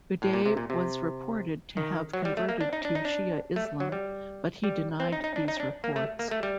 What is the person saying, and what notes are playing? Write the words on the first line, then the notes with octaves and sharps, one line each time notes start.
Uday was reported to have converted to Shia Islam, but he denied these reports.
A2
A#2
C3
A#2
C3
D#3
F#3
G3
A3
A#3
D4
D#4
D4
D#4
D4
A3
F#3
G3
G3
C4
D#4
D#4
D4
D#4
D4
A#3
A3
A#3
A3
G3